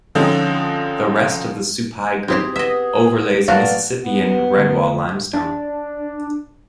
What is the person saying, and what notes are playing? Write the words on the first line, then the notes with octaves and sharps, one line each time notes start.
The rest of the Supai Group overlays Mississippian Redwall Limestone.
D3 F3 G#3 C4 C#4 D#4
C4 D#4 E4 G4 G#4 C5
B3 D#5 E5
F#3 A3 B3 F#4 A#4 D5 F5
B3
D3 A3
D4